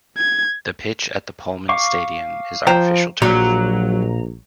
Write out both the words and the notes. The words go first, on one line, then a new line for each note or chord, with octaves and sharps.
The pitch at the Polman Stadion is artificial turf.
G#6
F5 C#6 D6
F3 C5 G5 A#5
A#1 A#2 F#3 A#5